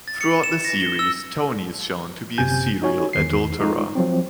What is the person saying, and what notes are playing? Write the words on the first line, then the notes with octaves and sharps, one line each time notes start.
Throughout the series Tony is shown to be a serial adulterer.
A6
C#7
E7
A#6
G7
E6
G1 F#2 C3 G#5 G6
D#4 F#4 C#5 G#5
E2 D#3 C7
G#3 D#4 F4
F3 F#3 C4